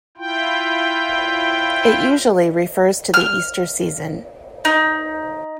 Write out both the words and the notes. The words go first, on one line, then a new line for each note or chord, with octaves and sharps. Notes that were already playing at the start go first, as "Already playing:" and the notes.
It usually refers to the Easter season.
E4 F4 G5
F6
D#4